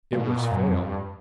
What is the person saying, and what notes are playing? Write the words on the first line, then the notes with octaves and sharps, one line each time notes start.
"It was Fayle."
A#2
B2
A#2
F#2
F2
G2